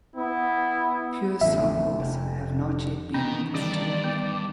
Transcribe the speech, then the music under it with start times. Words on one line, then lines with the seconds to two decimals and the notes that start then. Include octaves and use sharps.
Pure samples have not yet been reported.
0.16 B3 E4
1.41 A1 F2 D3 E5
2.00 F1
3.14 B2 D#3 E3 B3 C#4 D4
3.54 G2 D5
4.04 B3